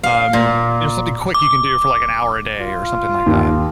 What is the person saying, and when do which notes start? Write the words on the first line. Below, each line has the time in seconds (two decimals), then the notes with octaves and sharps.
um, you know, something quick you can do for, like, an hour a day or something like that.
0.03 F5
0.33 A#2
1.34 D6
2.60 F4
3.26 D#2